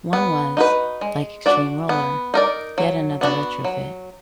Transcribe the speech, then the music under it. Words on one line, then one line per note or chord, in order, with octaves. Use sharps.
One was, like "Extremeroller", yet another retrofit.
B3
D#4 F#4 B4
G#3
D4 F#4 D5
B3
D#4 A#4 D5
F#3
B3 D4 F#4
F#3